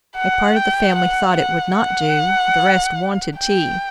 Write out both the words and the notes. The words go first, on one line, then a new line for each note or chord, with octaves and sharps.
A part of the family thought it would not do; the rest wanted tea.
F#5
G5
F#5
F#5
F#5
G5